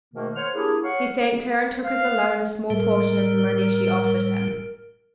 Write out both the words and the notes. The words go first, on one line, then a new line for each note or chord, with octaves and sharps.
He thanked her and took as a loan a small portion of the money she offered him.
G#2 B2 D#3 A3 A#3
C5 C#5 F#5 F6
A#3 D4 E4 G4 G#4
C#5 F5 F#5 C#6
F5
A2 G3 A#4